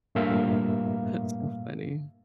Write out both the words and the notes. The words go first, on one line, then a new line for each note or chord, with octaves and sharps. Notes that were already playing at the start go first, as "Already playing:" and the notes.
That's so funny.
G2 A#2 A3 A#3 E5 F5